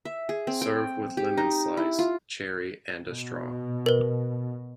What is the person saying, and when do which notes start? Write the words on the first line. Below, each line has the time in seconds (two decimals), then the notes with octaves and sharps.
Serve with lemon slice, cherry and a straw.
0.05 E5
0.29 G#4
0.47 C4
0.62 G5
1.17 G4
1.37 D#4
1.77 E4
1.99 F4
3.04 B2
3.86 A#4 B4